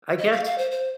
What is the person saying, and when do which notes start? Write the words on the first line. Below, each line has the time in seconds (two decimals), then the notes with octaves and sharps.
I guess
0.19 D#5
0.32 F5
0.45 F5
0.58 C5
0.71 C5